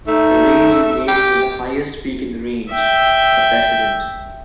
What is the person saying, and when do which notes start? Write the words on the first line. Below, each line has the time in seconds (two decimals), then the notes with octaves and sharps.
The range is named for the highest peak in the range, The President.
0.07 A3 D#4
1.08 G4
2.70 E5 G5